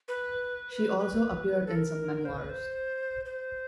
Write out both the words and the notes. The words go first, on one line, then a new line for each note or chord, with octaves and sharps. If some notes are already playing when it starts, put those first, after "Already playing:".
She also appeared in some memoirs.
B4
B4
B4
A4
A#4
C5
B4
C5
C5